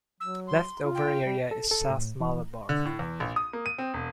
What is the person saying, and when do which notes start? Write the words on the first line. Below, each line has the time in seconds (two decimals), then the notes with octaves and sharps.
Left-over area is South Malabar.
0.20 F#3 E6
0.47 C6
0.83 F4
0.95 G5
1.26 G3
1.51 A4
1.71 A4
1.90 A2
2.20 E3
2.69 D3
2.85 A2
2.99 E2
3.20 A#1
3.36 D#6
3.53 A#3
3.66 D#7
3.78 C4
3.94 E1